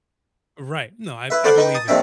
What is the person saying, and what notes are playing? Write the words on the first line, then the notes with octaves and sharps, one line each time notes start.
Right, no, I b I believe it,
E4 B4 E5
A4 B4 C5 D5 F#5
D#4 B4 G5
A5 D#6
A#1 C3 D#3 D4 E5 G5